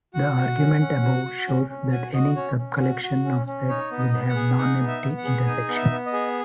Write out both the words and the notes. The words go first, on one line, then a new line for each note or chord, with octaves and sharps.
The argument above shows that any subcollection of sets will have nonempty intersection.
F#4 F#5
F#4
C#4
C#4
F#4
F#4
C#4
C#4
F#4 G#5
F#4 D#5
C#4 C#5
C#4
F#4
F#4
C#4
C#4
D#4 C#5
B3
D#5
B3
F#5
G#4
D#4 F#5
B3
E5
B3
F#5
G#4
D#4 G#5
B3
E5
B3
D#5
G#4